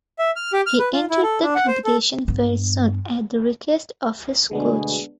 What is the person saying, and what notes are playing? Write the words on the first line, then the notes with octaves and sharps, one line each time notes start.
He entered the competition very soon at the request of his coach.
E5
F6
G4
F6
B4
F4
E4
A4
D4
F#5
C5
A4
G2 B3
D2 B2 G#3 B3 D4 G#4